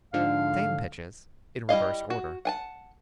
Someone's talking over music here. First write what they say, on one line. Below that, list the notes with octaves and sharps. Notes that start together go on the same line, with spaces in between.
Same pitches in reverse order.
G#2 D3 F3 F5
G3 E4 D#5 F5
F#4
F#5 G#5 A5